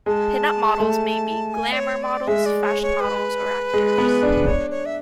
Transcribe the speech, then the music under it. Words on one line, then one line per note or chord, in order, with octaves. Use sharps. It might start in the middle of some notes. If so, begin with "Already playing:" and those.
Pin-up models may be glamour models, fashion models, or actors.
G#3 A5
A3
G#5
D5
C#5
D5
G#3 E5
D5
C#5
C#5
B4
G#3
B3
D4
D4 C#5
C#5
E5